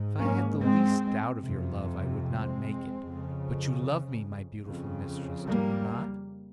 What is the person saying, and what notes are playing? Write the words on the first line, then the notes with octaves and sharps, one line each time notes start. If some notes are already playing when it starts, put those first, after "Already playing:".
"If I had the least doubt of your love I would not make it, but you love me, my beautiful mistress, do you not?"
Already playing: G#2
A#3 C#4
G#3 C4
F2 C3
G#3 C4
F2 C#3
F2 C#3
G3 A#3